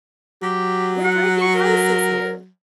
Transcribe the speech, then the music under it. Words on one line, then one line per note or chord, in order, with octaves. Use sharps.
We're breaking curses here.
F#3 G4
F#5
C#6
A#4